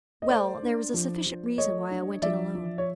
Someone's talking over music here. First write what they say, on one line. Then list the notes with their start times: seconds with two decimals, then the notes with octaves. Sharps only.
"Well, there was a sufficient reason why I went in alone."
0.22 D#5
0.30 A3 C5 D5
0.62 D4
0.94 F3
1.26 F3
1.58 A3 C#5 D#5
1.90 D4
2.22 F3 D5 E5
2.55 F3
2.78 C#5